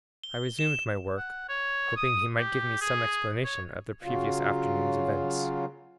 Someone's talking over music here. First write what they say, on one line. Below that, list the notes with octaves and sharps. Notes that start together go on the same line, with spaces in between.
I resumed my work, hoping he might give me some explanation of the previous afternoon's events.
G7
E7
F#5
C#5
D#6
G4
G#4
C#5
C#3 F#3 F4